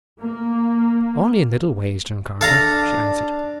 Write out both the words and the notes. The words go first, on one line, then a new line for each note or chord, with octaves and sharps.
"Only in little ways, John Carter," she answered.
A#3
D4 A4 F5 A#5